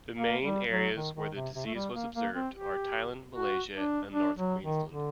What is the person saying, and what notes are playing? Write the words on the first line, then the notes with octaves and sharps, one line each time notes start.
The main areas where the disease was observed are Thailand, Malaysia and North Queensland.
A#3
G3
F#3
D#3
D#3
C3
C3
A3
G3
A#3
A#3
C4
G4
F#4
D4
D4
F#3
D#3
D3